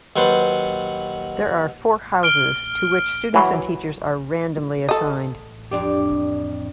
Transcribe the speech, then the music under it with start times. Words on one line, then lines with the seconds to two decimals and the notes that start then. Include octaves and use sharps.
There are four houses to which students and teachers are randomly assigned.
0.16 D#2 F#3 B4 C5 F#5 A5
2.23 F6 D7 G7
3.34 E3 F#3 B4
4.89 A4 D#5
5.71 F2 D4 G4